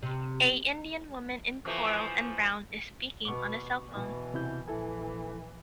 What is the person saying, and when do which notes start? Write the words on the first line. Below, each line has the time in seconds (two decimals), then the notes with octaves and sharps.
A Indian woman in coral and brown is speaking on a cellphone.
0.03 C3
1.65 E3 F3 A3
3.25 B2 B3 C#6 D6
3.89 B2 E3
4.34 C3 E4 G6
4.68 A#1 E3 E4 A4 G#5